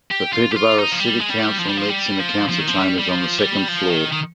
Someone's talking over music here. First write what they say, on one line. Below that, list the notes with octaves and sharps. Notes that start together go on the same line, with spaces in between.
The Peterborough City Council meets in the Council Chambers on the second floor.
G4
F4
G4
F4
D#4
F3
G3
G#3
G3
F3
G3
F3
G3
F3
F3
D#3
F3
G3
G3
F3
G3
F3
D#3
D#3